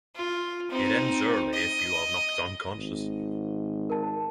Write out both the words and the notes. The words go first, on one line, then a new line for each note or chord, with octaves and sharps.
It ends early if you are knocked unconscious.
F4
C4 D#4
D#5
G#1
A#4 A5